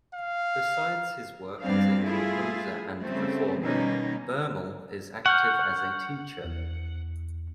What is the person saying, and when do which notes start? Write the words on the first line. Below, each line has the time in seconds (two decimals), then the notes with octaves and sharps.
Besides his work as a composer and performer, Bermel is active as a teacher.
0.14 F5
1.61 G2 G3 B3 C4 D4 F5
2.04 A3 E4 F4 G#4
3.02 C#3 G3 A3 C4
3.63 B2 D#3 G3 A#3 C#4 D#4
5.26 F#5 C#6 F6 G6
6.44 E2